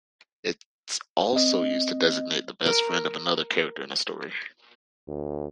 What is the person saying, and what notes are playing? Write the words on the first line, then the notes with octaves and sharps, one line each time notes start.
It's also used to designate the best friend of another character in a story.
C4 D#5
A#4
D2